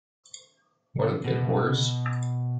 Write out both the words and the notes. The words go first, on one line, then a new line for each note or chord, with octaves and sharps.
What a good horse ?
B2